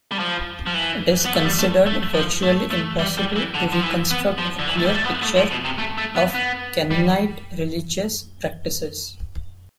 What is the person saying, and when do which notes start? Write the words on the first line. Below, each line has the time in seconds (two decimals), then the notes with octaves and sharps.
It is considered virtually impossible to reconstruct a clear picture of Canaanite religious practices.
0.12 G3
0.19 F3
0.67 F3
0.74 E3
1.25 B3
1.35 A3
1.45 G3
1.59 A3
1.86 A3
2.14 F3
2.43 A3
2.71 A3
2.99 G3
3.18 G3
3.36 E3
3.54 D3
3.72 F3
3.83 E3
4.11 B3
4.38 F3
4.59 D3
4.67 E3
4.79 A3
4.86 G3
4.95 A3
5.05 B3
5.23 A3
5.37 F3
5.51 B2
5.64 C3
5.78 A3
5.97 A3
6.16 B3
6.34 B3
6.91 G3